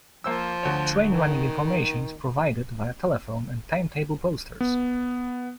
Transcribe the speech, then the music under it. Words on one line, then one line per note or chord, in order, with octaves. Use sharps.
Train running information is provided via telephone and timetable posters.
F3 A#3 C5 E6
D2 C#5
D#3
B3